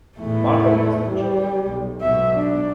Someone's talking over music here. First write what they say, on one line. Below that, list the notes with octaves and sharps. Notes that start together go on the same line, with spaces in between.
Markham was then chosen.
E2 A2 A3 E4
G3
B1
B1 G#2 B2 E5
D4